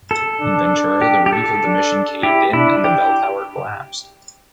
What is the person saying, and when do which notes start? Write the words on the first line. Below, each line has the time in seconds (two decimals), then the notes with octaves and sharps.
In Ventura the roof of the mission caved in and the bell tower collapsed.
0.11 A4
0.41 D4
1.01 G4
1.26 G4
1.33 A4
1.63 D4
2.23 E4 G4
2.53 D4 E4
2.84 G4